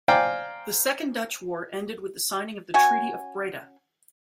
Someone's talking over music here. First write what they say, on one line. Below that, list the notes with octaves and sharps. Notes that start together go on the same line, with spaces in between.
The Second Dutch War ended with the signing of the Treaty of Breda.
C5 D5 F5 G5 G#5 A#5
C#4 F#4 G#5